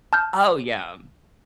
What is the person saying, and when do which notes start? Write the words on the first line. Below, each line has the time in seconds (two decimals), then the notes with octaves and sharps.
Oh yeah,
0.13 A5 F6 G6